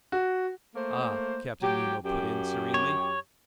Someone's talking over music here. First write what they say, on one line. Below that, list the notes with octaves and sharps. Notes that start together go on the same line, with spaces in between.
"Ah!" Captain Nemo put in serenely.
F#4
A3 A#3 C5
F#3 G4
F#2 G4
C#5